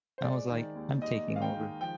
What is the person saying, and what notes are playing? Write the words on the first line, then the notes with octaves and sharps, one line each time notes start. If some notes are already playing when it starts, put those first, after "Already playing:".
I was like, 'I'm taking over.
C5
G#3 D5
D#3
D#2
D#2 D#5
G#3
F5
G5
D#3
F3 G5